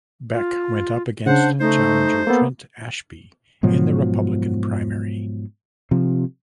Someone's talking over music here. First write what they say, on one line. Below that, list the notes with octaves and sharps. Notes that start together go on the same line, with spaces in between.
Beck went up against challenger Trent Ashby in the Republican primary.
F4
C#3 D4 C5 F#5
A3 D#4 C5
A#3 B3 A4
G#2 B2 F3 F#3
C3 F3